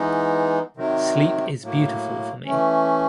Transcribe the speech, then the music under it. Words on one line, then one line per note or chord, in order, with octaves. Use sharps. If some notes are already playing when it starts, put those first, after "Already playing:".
Sleep is beautiful for me.
Already playing: E3 G#3 B3 D#4
C3 D#3 F#3
A2 F#3 A#3
E3 A3 C#4